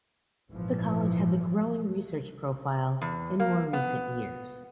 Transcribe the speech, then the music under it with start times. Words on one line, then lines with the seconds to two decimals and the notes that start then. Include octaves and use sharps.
The College has a growing research profile in more recent years.
0.50 G#1 A#2 E3 F3
3.02 E2
3.40 A#3
3.73 B3